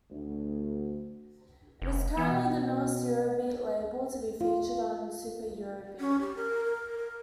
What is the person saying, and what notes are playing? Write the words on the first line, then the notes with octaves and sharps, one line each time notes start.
It is currently the newest Eurobeat label to be featured on Super Eurobeat.
D2
F1
E3 B3
B2
F4
C#4
G4
A#4
A#4
A#4